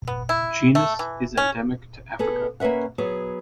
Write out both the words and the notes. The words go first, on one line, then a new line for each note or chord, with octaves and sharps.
The genus is endemic to Africa.
B3
E4
A3
E3
C#4
B3 G#4 A4
A#3 C#4 B4 E5 F#5
F#3 B3 G#4